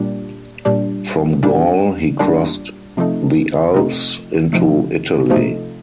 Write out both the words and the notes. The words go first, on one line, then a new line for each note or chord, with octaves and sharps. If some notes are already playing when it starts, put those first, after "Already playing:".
From Gaul he crossed the Alps into Italy.
Already playing: A#2 G3 D4
A#2 G3 D4
A#2 G3 D4
A#2 G3 D4
C3 F3 A3 D#4
C3 F3 A3 D#4
C3 F3 A3 D#4
C3 F3 A3 D#4